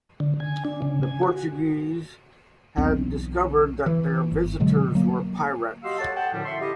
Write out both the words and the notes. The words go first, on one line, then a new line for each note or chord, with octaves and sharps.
The Portuguese had discovered that their visitors were pirates.
D3
G#5
D4
C#3
G#5
F#4
B1 E2 C4 D4
E3
G1
B2 D3 F#3 G#3
F#3 A#3
F#4 G4 D#5 F5 C6 E6
A4 C#5 F#5 A5
F#5 G5 A5
F#2 A2 D3 F3 G3
E5 C6 C#6
E4 G4 A4 D#5